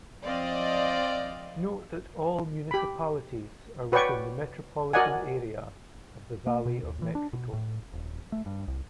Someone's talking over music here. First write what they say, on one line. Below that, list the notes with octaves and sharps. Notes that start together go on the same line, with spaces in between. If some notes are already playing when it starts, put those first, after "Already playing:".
Note that "all" municipalities are within the Metropolitan Area of the Valley of Mexico.
F3 C4 D5 D#5 F5
G4 B5
F#4 B4 C#5 D5 G5 C#6
F#4 A#4 D5 D#5 F#5 G#5
A#3
B2
D#2
E3
D4
B2
A2
D#1
A3
G2
C2